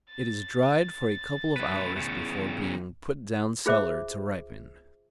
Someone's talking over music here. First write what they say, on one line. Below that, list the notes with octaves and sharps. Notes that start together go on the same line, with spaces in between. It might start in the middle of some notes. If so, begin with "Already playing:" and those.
It is dried for a couple of hours before being put down cellar to ripen.
A6
F#2 B4
E2 C#3
F4 G#4 C5 E5 D6